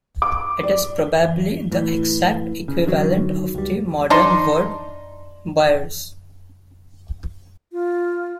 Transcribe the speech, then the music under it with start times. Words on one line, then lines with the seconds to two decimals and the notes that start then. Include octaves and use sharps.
It is probably the exact equivalent of the modern word 'byres'.
0.22 D6
0.63 D5
1.72 A2 E3
2.68 C#3
2.86 D3 D#3 F#3
3.55 C#2 G3
4.10 D4 D#4 C6
7.72 F4